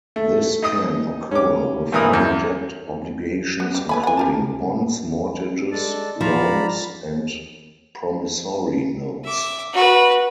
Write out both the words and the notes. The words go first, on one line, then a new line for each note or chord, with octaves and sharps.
This can occur with all debt obligations including bonds, mortgages, loans, and promissory notes.
A3
D#4 D#5 D#6
C#4 D6
G2 A#2 E3 A#4 D#6
E2 G2
B3
G3
B4 G#5 B5
F#5 G#5
G4 A#4 A5
G#3 A4 D5
F3 D5 A#5 B5
E5 D6
F#4 B4